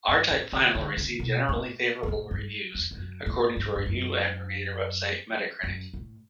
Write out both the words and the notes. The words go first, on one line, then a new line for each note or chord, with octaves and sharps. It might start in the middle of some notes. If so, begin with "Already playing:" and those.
"R-Type Final" received "generally favorable" reviews, according to a review aggregator website Metacritic.
G2
A2
D3
D3
C#3
B2
A2
B2
A2
G2
E2
E2
F#2
A2
G2
G2
F#2
F#2
A2